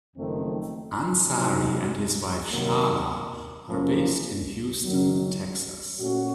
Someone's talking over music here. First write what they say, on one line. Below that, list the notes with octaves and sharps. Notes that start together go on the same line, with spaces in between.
Ansary and his wife Shahla are based in Houston, Texas.
F#1 F2 D#3 A3 C4
C3 F#3 C4 D#4 F#4
C3 D#3 F#3 A#3
F#1 F#2 F3 A#3 C#4
F#1 F#2 D#3 F#3
A#2 A3 C#4 F#4